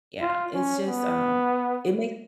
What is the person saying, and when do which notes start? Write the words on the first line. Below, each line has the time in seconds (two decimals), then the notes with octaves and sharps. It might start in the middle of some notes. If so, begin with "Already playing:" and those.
yeah, it's just, um, it makes
0.22 F4
0.54 C#4
0.88 B3